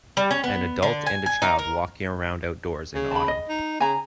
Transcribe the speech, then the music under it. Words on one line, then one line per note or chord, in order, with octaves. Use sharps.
An adult and a child walking around outdoors in Autumn.
G3
C#4
B3
D3
G#5
G#5
D#4
A#4
C#3
A5 B5
D#5
D#4
C#3 G#5 A#5